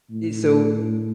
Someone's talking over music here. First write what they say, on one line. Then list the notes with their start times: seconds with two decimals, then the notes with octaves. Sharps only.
So, i
0.10 A2